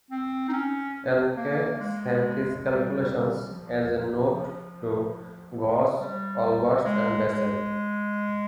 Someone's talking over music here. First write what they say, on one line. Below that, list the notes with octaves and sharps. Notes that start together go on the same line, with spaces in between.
Encke sent his calculations as a note to Gauss, Olbers, and Bessel.
C4
D#4
C#4
A#3
G#3
G3
G3
F3
F3
F3
G3
G#3
G#3